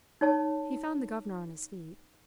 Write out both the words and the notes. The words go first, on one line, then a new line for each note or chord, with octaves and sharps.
He found the governor on his feet.
D#4 C#5 A5